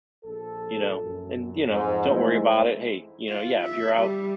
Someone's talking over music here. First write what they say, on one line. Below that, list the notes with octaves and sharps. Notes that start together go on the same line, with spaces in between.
you know and, you know, don't worry about it. Hey, you know Yeah, if you're out
A#1 A4
F#2
F2 G#2
E3 G#3 A3 C4 D#4 E4
F4
E5
G3